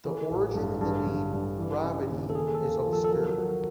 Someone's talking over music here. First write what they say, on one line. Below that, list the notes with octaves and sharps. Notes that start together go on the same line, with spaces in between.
The origin of the name "Gravity" is obscure.
E3 A4
A1
G2
G2 G#4
G2
G2
E3
C#3
D#2
A4
A#3 G#4
A4
D#2
F3
A4
A4
F#3 A#4
F#3